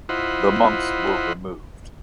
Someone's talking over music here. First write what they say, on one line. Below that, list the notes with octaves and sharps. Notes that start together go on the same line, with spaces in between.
The monks were removed.
E4 F4 C5 D#5 F#5 B5